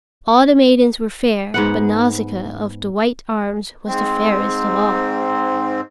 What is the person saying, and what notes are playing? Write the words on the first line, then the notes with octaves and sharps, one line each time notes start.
All the maidens were fair, but Nausicaa of the white arms was the fairest of all.
G#2 B3 F#5
G#2 C4